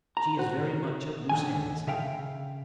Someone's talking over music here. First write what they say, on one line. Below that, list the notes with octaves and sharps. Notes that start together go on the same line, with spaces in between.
She is very much at loose ends.
A#5
F#4 C5
D3 D#3 G#5
C#3 E5 F5 G5